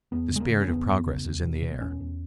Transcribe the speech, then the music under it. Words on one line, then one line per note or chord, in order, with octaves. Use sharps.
The spirit of progress is in the air.
E2 B3
C#3 G#3
A#3
C#3
C#4
E2 B3
E2
C#3
E2
B2
B2
E2 C#4
E2